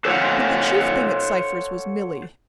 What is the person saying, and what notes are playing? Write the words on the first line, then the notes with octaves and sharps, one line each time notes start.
But the chief thing at Cypher's was Milly.
A4 C5 C#5 F5 F#5